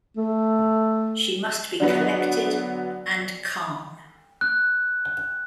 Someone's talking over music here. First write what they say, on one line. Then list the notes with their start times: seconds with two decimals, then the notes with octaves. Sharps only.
She must be collected and calm.
0.17 A3
1.80 D3 F#3 B3 D5
4.41 F#6